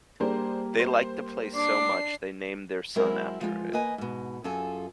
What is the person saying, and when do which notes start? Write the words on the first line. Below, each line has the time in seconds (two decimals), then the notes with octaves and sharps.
They liked the place so much they named their son after it.
0.20 G3 A#3 D4 G#4 A#4 C5
0.79 C5
1.55 D4 D6 C7
2.96 F#3 G#3 C4 E4 A#4 C5
3.41 F3 G#3 F4
3.72 E2 A#3 B4 D#5 G#5
3.98 G#2 B2
4.44 F#2 F4 G#4 A4 G#5